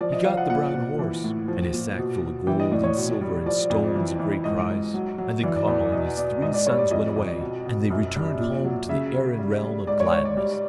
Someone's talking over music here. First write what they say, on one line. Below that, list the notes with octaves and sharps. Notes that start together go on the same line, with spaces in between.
He got the brown horse and his sack full of gold and silver and stones of great price, and then Conall and his three sons went away, and they returned home to the Erin realm of gladness.
F3 D5
D#5
F3 F5
F#5
A#2 F#5
A#2
E3
A2
F3
A#2
B2
B2
E3 G5
D#5
A2 D5
C#5
B2
G3
F3 D5
F2
E3
E3
G#2 D#5
G#2
F#3
F#3
E3 D5
D5
E2 D5
B2 D#5
B2 D5
G#2 D#5
D5
G3 C#5
D5
F2 D#5
F2
B2
B2
F#2
G3
A#2
F#3
C#3 E5
C#3
G3
G3
G#2 D5
C#5
G#2 C#5
D5
G3 D5